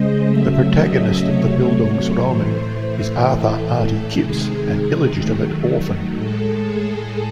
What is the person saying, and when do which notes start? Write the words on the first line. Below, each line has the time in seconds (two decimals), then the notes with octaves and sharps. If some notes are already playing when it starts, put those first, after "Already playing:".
The protagonist of the Bildungsroman is Arthur "Artie" Kipps, an illegitimate orphan.
Already playing: C#3 G#3 C5 D#5
0.26 C#3 F#3 A3 E5
0.76 D#5
1.24 C3 F#3 A3 C#5
2.22 A2 E3 A3 C5
2.71 C5
3.20 A2 E3 A3 A4
4.18 C3 D#3 G#3 G#4
5.17 D#3 F#3 A3
6.15 A2 G#3 A4
6.63 G#4